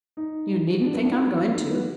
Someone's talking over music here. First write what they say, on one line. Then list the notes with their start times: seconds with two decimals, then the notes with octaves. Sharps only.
You needn't think I'm going to.
0.17 D#4
0.85 D4
0.94 B3
1.02 D4
1.12 F4
1.20 F#4
1.36 F4
1.54 D#4
1.71 B3